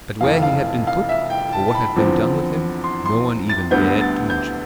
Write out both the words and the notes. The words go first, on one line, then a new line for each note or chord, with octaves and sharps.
But where he had been put or what had been done with him, no one even dared to mention.
F1 F2 E3 F5
F5
F5
E5
G5
A5
A5
B5
E2 D3 F3 C4
C6
C6
A6
D2 D3 G3 B3 G6
A6
G6